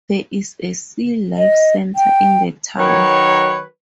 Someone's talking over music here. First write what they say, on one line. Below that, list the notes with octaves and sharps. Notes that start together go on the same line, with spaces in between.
There is a Sea Life Centre in the town.
D#5
G5
D#3 F#3 A#4 B4 C#5